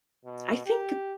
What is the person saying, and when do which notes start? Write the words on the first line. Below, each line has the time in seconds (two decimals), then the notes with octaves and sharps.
I think,
0.25 B2
0.66 G4